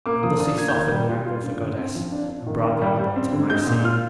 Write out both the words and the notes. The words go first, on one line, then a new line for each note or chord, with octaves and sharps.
And thus he softened the anger of the goddess and brought the animal to Mycene.
A#3 D6
F3 D#6
D4 D#6
A#3 G#6
G6
D#3 G#6
G3
F4
F4
G2
D3
C4
F3
D4
D4
D#3
D#3
G3
G3
C4
D3
G#3 G6
A#2
F4 F6